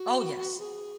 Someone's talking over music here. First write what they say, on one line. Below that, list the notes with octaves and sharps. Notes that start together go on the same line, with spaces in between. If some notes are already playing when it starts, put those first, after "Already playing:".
Oh, yes.
Already playing: F#4
G#4